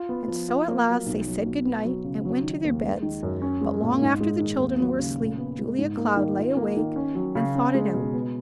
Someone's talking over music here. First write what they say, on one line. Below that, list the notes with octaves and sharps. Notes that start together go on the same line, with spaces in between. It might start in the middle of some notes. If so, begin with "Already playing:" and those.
And so at last they said "Good-night," and went to their beds; but long after the children were asleep Julia Cloud lay awake and thought it out.
Already playing: F4
B3
F3
F4
A#3
F#3
B1
F#3
B2
B3
F#3
C#3
F#3
D#3
D#2
G#3
D#3
F#2
C#4
G#3
A#2
G#2
G#3
D#3
D#2
F#3
C#3
A#2
B3
G#3
G#2
A#3
D#3
F4
A#3
D#3
C#4
F#3
C#3
C#4
G#3
B2
B3